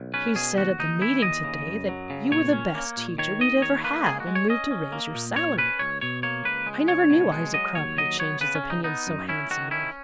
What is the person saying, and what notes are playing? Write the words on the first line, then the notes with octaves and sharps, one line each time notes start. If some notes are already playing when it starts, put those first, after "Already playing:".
"He said at the meeting today that you were the best teacher we had ever had and moved to raise your salary. I never knew Isaac Cropper to change his opinions so handsomely."
Already playing: B1
C#4 B4
B2 G#4
D#2 F#4
D#2 D#4
E3 E4
D#2 D#5
C#3
F#2
F#3
C#3
A#2 C#5
C#4
A#3
A#2
D#3 C#5
D#2 D#5
D#3 C#5
A#3 B4
G#3 G#4
F#4
G#3
C#5
C#4 D#5
C#4
A#3
A#2
A#2 C#5
C#4 B4
C#2 C#5
B2 C#5
A#3 C#5
C#2 B4
G#3
C#2 C#5
B2
G#3
F#3 D#5
D#2 C#5
F#3 D#5
B3 C#5
C#3 B4
C#4
C#3
D#4
B3 D#4
F#2
C#4 E4
D#3 F#4
C#4 E4